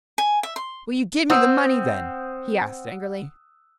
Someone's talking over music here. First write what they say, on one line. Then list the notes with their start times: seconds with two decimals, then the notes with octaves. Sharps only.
"Will you give me the money then?" he asked angrily.
0.18 G#5
0.43 E5
0.56 C6
1.30 C4 F#5 D#6 E6